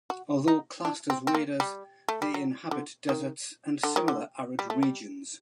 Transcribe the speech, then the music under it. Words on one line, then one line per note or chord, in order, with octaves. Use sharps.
Although classed as waders, they inhabit deserts and similar arid regions.
F#4
D#4
D4
C4
C4
A#3
G3
A3
G3
F#3
D3
D#3
D3
D#3
D3
G3
A3
G3